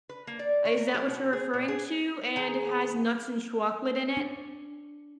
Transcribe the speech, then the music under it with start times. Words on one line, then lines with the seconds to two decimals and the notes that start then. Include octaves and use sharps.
Is that what you're referring to, and it has nuts and chocolate in it?
0.09 B4
0.27 A#3
0.39 D5
0.65 C#5
0.78 A#4
0.94 G4
1.08 B2
1.33 G#4
1.54 A#2
1.68 G#4
2.36 D#3 G#4
4.17 D4